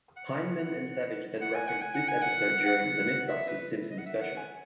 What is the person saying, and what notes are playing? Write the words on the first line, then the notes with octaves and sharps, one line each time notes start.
Hyneman and Savage then reference this episode during the "MythBusters" Simpsons special.
F#5
F#5
G#5
F#5
G#5
F#5
G#5
F#5
F#5
E5
B4
D#5
F#5
E5
F#5
G#5